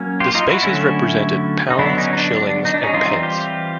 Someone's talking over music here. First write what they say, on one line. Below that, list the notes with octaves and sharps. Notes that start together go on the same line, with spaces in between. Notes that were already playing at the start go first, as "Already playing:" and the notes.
The spaces represented pounds, shillings and pence.
Already playing: F#3 A#3 C#4
F4 G4
D#4 F4
E4 F#4
D3 F#3 A3 C#4
D#4
D3 F#3 B3 D4 E4
E4
C#4 D#4
D#4
D4
D4
D#4
D4
C#4 D#4
E3 G3 C4 D#4 F4
F4 G4